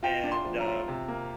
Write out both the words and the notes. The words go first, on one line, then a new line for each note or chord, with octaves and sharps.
and, um,
F4 G5
D4
C6
F3
A#5
F4
C3
A#3